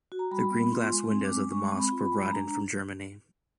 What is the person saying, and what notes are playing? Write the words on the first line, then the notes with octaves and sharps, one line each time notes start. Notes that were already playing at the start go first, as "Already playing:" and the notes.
The green glass windows of the mosque were brought in from Germany.
F#4
A#5
G3 B5
B3
F4 C6
G#3
C6
C4
D6
G#3
G#3 C#6
C4
B5
F4
B5
G#3
D4 A#5